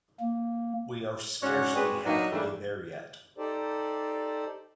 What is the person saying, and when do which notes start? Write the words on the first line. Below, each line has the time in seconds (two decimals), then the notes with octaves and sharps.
We are scarcely halfway there yet.
0.20 A#3
1.42 G#2 C#4 D4 F#4 C#5 F#5
1.74 G#3 C4 D4 F#4 G#4 B4
2.05 F#3 A#3 B3 D4 D#4
2.32 E3 G3 A3 A#3 D4
3.38 D#4 G4 A4 C5 D5